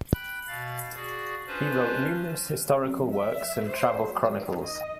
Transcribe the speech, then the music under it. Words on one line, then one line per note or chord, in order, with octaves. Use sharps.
He wrote numerous historical works and travel chronicles.
G5 B5 F#6
B2 F5 A6
F#4 G#4 D5
C#4 D4 F4 B4 C5
F3
E5
C5
F#3
D#3
D#5